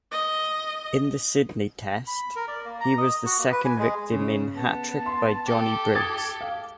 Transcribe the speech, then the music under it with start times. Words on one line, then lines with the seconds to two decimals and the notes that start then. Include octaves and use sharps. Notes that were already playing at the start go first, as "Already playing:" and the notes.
In the Sydney Test, he was the second victim in hat-trick by Johnny Briggs.
0.12 D#5
2.07 B5
2.36 A#4
2.48 D5
2.65 A#3
2.80 A#5
2.98 D#5
3.25 F#4
3.39 A#3
3.52 B4
3.65 G#5
3.78 G#3
4.11 C#3
4.56 B3 A5
5.06 C6
5.44 G4 A4
5.95 D#6 G#6 A6
6.41 F5